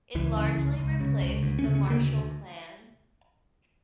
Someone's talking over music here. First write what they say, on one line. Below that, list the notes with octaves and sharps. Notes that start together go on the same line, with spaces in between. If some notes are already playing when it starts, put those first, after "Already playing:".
It largely replaced the Marshall Plan.
C#2 E3
C#3
C#2
C#2
C#3
C#2
D2
C#4
C#3
C#4
D2 A#3